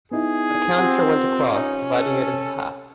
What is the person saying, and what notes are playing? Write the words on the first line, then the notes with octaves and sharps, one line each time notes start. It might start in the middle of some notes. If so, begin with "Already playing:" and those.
A counter went across, dividing it into half.
B3 D#4 E4 G#4
C4 F4 G4 F#5
C#4 D#4
A4